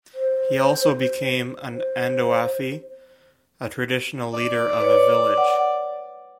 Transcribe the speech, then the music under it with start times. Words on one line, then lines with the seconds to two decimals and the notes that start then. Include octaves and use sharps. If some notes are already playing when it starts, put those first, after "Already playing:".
He also became an "ondoafi", a traditional leader of a village.
0.15 C5
1.71 C5
4.34 D5
4.80 B4 C#5
5.38 F#5